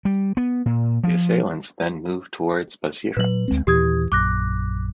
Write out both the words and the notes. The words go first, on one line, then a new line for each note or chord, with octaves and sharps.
The assailants then moved towards Basirhat.
G3
B3
A#2
F3
A#2 F#3 B4 F#7
D2 G#3 C4
D#2 A#2 E3 G4 D#6 G#6
A#1 F#2 D6 F#6 A#6